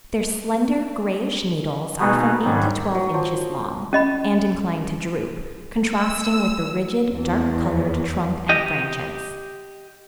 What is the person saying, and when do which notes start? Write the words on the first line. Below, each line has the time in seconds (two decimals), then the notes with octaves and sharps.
Their slender, grayish needles are from eight to twelve inches long, and inclined to droop, contrasting with the rigid, dark-colored trunk and branches.
2.00 B2 A3 B3 D#4 F#4 G#4
2.45 G#2 D#3 F#3 G3
2.95 F#3
3.14 F3
3.93 C#4 D#5 B5
5.95 E6
7.11 E2
8.49 G4 D#5